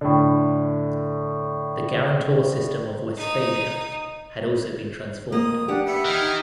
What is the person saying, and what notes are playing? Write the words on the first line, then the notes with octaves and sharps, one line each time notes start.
The guarantor system of Westphalia had also been transformed.
A2 D3
D#4 D#6
F2 A#3 D#6
D4 G4 F#5
B3 E5
D#3 E3 F6
D#4